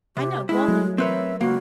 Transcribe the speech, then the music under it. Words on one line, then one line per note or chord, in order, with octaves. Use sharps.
I know one who will.
C3 G4
G#3 E4
F#3 A3
C4 A#4 B4 C#5 E5
C#2 A#3 F#4 F5